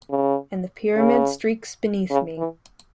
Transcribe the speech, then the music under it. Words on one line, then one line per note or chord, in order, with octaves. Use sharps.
And the pyramid streaks beneath me.
C#3
C#3
C#3
E3